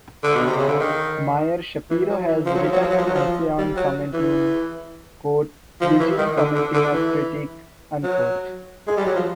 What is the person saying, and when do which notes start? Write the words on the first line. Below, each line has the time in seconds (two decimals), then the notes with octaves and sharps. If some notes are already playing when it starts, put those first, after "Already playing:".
Meyer Schapiro has written an essay on Fromentin, "Eugene Fromentin as Critic".
0.23 D3
0.35 B2
0.46 C3
0.58 C#3
0.68 D3
0.80 D#3
1.90 E3
2.09 F#3
2.28 E3
2.46 F3
2.55 F#3
2.63 F3
2.72 F#3
2.81 F3
2.89 F#3
2.97 F3
3.06 F#3
3.14 F3
3.58 G3
3.77 F#3
4.13 E3
5.81 F3
6.00 E3
6.18 D#3
6.37 D3
6.55 D3
6.74 D3
6.92 E3
8.04 F#3
8.88 G#3
8.97 G3
9.06 F#3
9.15 F3